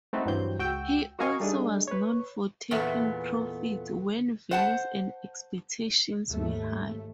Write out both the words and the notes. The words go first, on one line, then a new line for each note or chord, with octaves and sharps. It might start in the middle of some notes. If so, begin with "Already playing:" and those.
He also was known for taking profits when values and expectations were high.
A3 C4 D#4 F#4 A4 B4
G2 E3 F#3 C4 G6
C#2 F#4 G5 E6
F#4 A#4 D#5 F5 G#5 C#6
G3 A3 D4 D#4 G#4
B4 C#5
E2 A#2 A3 B3
C5 F#5 A5
D#2 G#2 A3